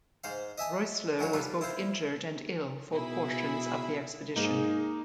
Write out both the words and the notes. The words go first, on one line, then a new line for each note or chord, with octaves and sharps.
Roessler was both injured and ill for portions of the expedition.
G#2 C5 F5
D#5 E5 G#5 A5
E3 F#3 G#3 C#5
G3 F4 A4 B4
E4 F4 C5
B2 E4 G#4 B5
G#2 A#3 D#4 G#4